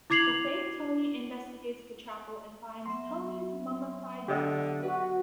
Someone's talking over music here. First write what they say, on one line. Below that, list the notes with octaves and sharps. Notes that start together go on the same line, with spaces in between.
The fake Tony investigates the chapel, and finds Tony's mummified body.
E4 D6 G#6 C7 F7 F#7
F#3 B3 E5 C6
D3 G4 D#5 F#5
F#4 B4